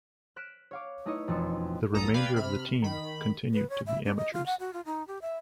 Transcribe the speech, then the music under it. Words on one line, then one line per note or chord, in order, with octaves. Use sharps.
The remainder of the team continued to be amateurs.
F6 F#6 B6 D7 E7
C#5 F5 D6
A3 D#4 E4 B4 C#5 D#5
E1 F2 A6 C#7
A#1 E2 A4 A#5 D#6
B4 D5 F5 G5 B5 G#6
C3 B5 F6
D#3 B5
B4
C#5
E5
D4
D#5
F4
F#5
F#4
F4
D#4
G4
E5